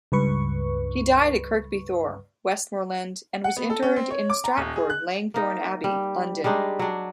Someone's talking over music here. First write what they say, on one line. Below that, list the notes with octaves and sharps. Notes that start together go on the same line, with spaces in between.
He died at Kirkby Thore, Westmorland and was interred in Stratford Langthorne Abbey, London.
C#2 G2 B4 C#6
F#5
B3
A4
C#4
C4
C#5
D6
A#5
D#1
G#4
F#6
A#3 D#4
G3
G3 G#3 D4 D#4
F#3 D4